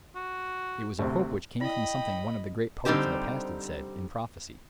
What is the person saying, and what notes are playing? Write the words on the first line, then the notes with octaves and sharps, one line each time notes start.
It was a hope which came from something one of the great poets of the past had said, in prophecy.
F#4
D2 C3
E4 D5 D#5 G5 B5
D3 G3 C4 D#4 G4 C5